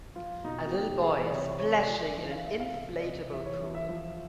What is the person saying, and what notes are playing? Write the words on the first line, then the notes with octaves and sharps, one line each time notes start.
A little boy is splashing in an inflatable pool.
F3 F4
B2 D#4
F#4
B2 G4
E3 G#4
D5
C3 C#5
C3 C#5
D5
F3
D5
E3 D#5
F5
E3 E5
F5
C3 E5
D5
C3 D#5
E3 E5
C#5
E3
E5
F3